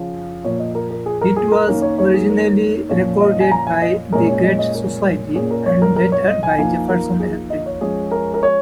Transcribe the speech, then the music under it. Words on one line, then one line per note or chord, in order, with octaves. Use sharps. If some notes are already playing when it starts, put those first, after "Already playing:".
It was originally recorded by The Great Society, and later by Jefferson Airplane.
Already playing: C#3 F3 C#4
A#2 F3 A#3 C#5
D#5
A#4
A#4
G#4
A#4
G#4
A#4
D#3 A#3 C#4 A#4
C#5
C#5
G#4
A#4
A#2 F3 C#4 C#5
D#5
G#5
A#5
G#5
D#5
A#2 G#3 C#4 A#4
C#5
D#5
D#5
A#4
A#2 A#3 C#4 G#4
A#4
C#5
A#4
A#4
C#5
D#5
G#5
F3 A#3 D#4 G#5
A#4
G#4
D#5
C#5
F3 G#3 C#4 G#4
A#4
A#4
C#5